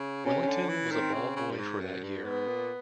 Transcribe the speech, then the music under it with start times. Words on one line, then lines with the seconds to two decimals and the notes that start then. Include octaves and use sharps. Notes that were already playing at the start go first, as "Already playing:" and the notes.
Wellington was a ball boy for that year.
Already playing: C#3
0.25 C3 C#4
0.48 D3
0.69 E3
0.91 D#3 C4
1.14 C#3
1.36 C#3
1.51 G2
1.58 G#2
1.80 F#2
2.03 G2
2.24 G#2 B3
2.47 A#2